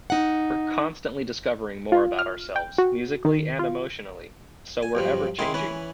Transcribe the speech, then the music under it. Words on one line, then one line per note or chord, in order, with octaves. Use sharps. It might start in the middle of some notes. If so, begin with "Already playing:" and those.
We're constantly discovering more about ourselves musically and emotionally, so we're ever-changing.
D#4 F#5
F4
F6
G5
F#4
D#3
F4
G#5
B1 G2 F3
D#3 G#3 E4 F5 C6
E3 C#4 B4